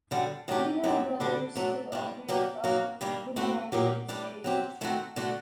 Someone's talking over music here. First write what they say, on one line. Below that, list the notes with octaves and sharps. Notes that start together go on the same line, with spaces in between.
Linnell Brothers still operate a woodyard to this day.
F#2 D3 G3
D#3 F#3 A3 D4 G4
F#2 F#3 C4 G4
D3 G3 D4 F#4
F#2 F#3 A3 D4
A2 G3 D4
F#3 A#3 D4 G4
F#3 A#3 D#4 F#4
G2 D#3 G3 A#3
A2 A3 C4 F#4
A#2 F#3 A#3 D#4 G4
A2 G3 D4 G4
F#3 C4 G4
D#3 A3 C4 F#4
D3 A3 D4 F#4